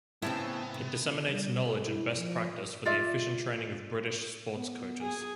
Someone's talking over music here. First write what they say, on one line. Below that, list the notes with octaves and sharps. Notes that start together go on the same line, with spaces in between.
It disseminates knowledge and best practice for the efficient training of British sports coaches.
A2 C#3 B3 C4 E4 D5 E5
C3
D3
G3
A4
E4
F3
F4 D5 E5
B3
G#4